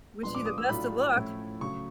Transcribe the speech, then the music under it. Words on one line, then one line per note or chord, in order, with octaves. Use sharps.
wish you the best of luck.
A#2 F3 G#3 B3 D4 C6
D6
D#6
E6
A2 F#3 A3 D4 F4 B5
A2 F3 A3 C#4 E4
C#3 F#3 A3 C#6